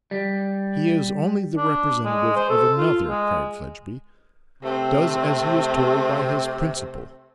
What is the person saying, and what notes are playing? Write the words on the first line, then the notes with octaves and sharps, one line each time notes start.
'He is only the representative of another!' cried Fledgeby. 'Does as he is told by his principal!
G3
D4
G#3
C5
A4
F4
G#3
C3 A3 C4